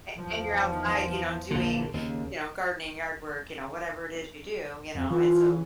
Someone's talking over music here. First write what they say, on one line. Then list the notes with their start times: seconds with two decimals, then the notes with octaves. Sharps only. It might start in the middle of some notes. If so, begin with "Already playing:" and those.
And and you're outside, you know, doing, you know, gardening, yard work, you know, whatever it is you do, you know, and so,
0.18 E2 F3
0.69 D#3
1.07 E3
1.51 A#1 D3 A#3
1.94 D#2 C#3
4.95 F2
5.11 E3 F4